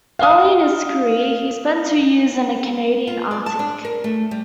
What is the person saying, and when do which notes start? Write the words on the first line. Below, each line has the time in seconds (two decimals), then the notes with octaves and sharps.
Early in his career, he spent two years in the Canadian Arctic.
0.19 F5 D#6
3.07 F4
3.31 D5
3.46 A5
3.59 D4
3.85 A#4
4.04 A3
4.31 G3